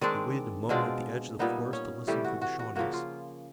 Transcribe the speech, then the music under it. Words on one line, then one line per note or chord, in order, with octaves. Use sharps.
They waited a moment at the edge of the forest to listen for the Shawnees.
D#3 G#3 C4 D4 D5
B2 G#3 C4 D4 F4 D5
A#2 G3 B3 D#4
C#4 C#5
C3 E3 G3 A3 G4
F#4
F#4
F#4
C#3 F3 A#3 F#4
F4